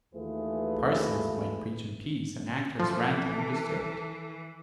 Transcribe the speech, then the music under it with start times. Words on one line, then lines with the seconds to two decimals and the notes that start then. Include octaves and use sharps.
Parsons might preach in peace, and actors rant undisturbed.
0.14 D#2 E3 A3 F4 G#4 B4
2.79 E3 F3 A4